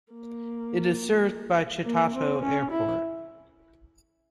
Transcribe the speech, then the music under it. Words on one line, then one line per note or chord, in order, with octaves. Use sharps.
It is served by Chitato Airport.
A#3
A#3
C4
C#4
E4